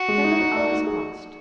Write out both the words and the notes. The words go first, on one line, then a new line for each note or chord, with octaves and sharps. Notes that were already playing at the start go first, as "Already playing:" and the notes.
Several hours passed.
Already playing: F#4
G#3
D#4
D#4
D5
D#4
G#4